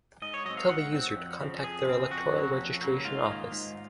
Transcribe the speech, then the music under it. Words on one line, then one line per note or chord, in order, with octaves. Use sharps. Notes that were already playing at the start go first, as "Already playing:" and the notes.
Tell the user to contact their electoral registration office.
G#2 D#5
C#5
F#3 C4 D#5
F5
G#2 F#5
F#3 C4
F2
C#3 F3 C4
F2 G#4
C#3 F3 C4
F2 F#4
C#3 F#3 A#3
F2
C#3 F#3 A#3
G#2 F4
D#3 A#3
G#2